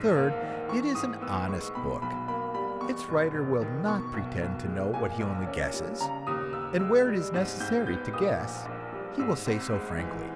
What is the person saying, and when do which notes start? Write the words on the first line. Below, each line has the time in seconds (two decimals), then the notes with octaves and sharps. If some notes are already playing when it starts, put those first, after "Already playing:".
Third, it is an honest book; its writer will not pretend to know what he only guesses, and where it is necessary to guess, he will say so frankly.
Already playing: A#1 G#2
0.16 A#3
0.42 D#3
0.69 E3 C#6
0.95 G#2 D#6
1.21 B3 E6
1.48 G#3 C#6
1.75 B2 B5
2.02 B1 B5
2.28 A#3 B5
2.54 G3 B5
2.81 E2 C#6
3.08 E1
3.34 E1
3.62 D#3
3.88 B2 C#6
4.14 B1
4.41 B1
4.67 G#3
4.94 A#2 G#5
5.20 A#1
5.47 C#4
5.74 G3
6.01 C#3 A#5
6.27 D#2 D#6
6.53 D#2 E6
6.79 G#3 E6
7.07 G3
7.34 G#2
7.60 G#2 G6
7.86 B3 G6
8.13 A#2 D#6
8.40 A#1
8.66 A#1
8.93 G3
9.19 G#2 E6
9.46 G#1
9.73 G#3
9.98 E3